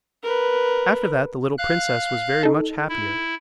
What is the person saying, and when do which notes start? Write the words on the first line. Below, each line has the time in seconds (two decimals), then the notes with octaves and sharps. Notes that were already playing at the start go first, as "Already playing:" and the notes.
After that the little princess was very much happier.
0.23 A#4 B4
1.58 F5 F#6
2.43 D#4 A4
2.89 E4